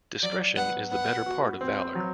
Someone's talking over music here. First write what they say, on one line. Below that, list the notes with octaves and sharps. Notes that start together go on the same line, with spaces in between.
Discretion is the better part of valour.
F#3 D5
B3 F#5
B3 F#5
F#4
C4
F#3